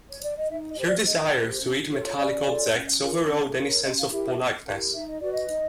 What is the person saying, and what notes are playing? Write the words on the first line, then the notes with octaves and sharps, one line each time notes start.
Her desire to eat metallic objects over-rode any sense of politeness.
C#5
D5
D#5
D#4 E5
D#5
G4 C5
D5
D#4 D#5
G4 C5
C#4
F4 A4 C#5
C#5
C#4 D5
F4 A4 C#5
C#4
F4 A#4 C#5
C#4
F4 A#4 C#5
C#4 D#5
F5
E4 G4 A#4 E5
C#4
E4 G4 A#4
D#4 E5
D#5
F#4 B4 D5
D#5
D#4